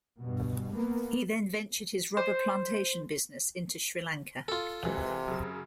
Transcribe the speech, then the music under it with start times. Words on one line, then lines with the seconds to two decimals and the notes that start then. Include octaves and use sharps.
He then ventured his rubber plantation business into Sri Lanka.
0.19 G2 B2
0.73 A#3 B3
2.17 C5
4.48 F4 A4
4.85 C3 E3 F#3 G#3
5.28 F#2 C#3